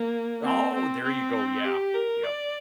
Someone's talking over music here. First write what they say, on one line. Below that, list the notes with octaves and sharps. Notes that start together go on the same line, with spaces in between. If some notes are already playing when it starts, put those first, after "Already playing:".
Oh, there you go, yeah, yep.
Already playing: A#3
C4
C4
C4
G4
A#4
D5